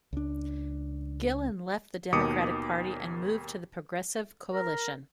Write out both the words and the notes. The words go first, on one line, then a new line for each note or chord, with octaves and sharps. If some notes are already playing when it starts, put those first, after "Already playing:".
Gillon left the Democratic Party and moved to the Progressive Coalition.
C#2 D4
D#2 B2 D#3 D6 D#6 C#7
A#4